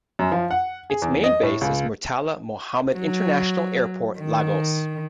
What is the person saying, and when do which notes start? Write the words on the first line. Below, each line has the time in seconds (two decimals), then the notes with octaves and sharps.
Its main base is Murtala Mohammed International Airport, Lagos.
0.19 F#2
0.32 F3
0.51 F#5
0.90 G#4
1.02 E2
1.24 D#5
1.43 A2
1.61 C#2
2.94 F#3
4.20 D#3